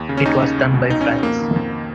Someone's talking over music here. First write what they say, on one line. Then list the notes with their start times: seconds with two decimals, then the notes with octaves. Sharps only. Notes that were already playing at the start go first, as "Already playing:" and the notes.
It was done by France.
Already playing: D#2
0.09 C#3
0.17 C#4
0.25 D#2 D#4
0.41 C#3
0.58 C#2
0.74 B2
0.90 C#2 D#4
1.01 C#4
1.07 B2
1.23 F2 A#3
1.40 D#3
1.56 F2
1.72 D#3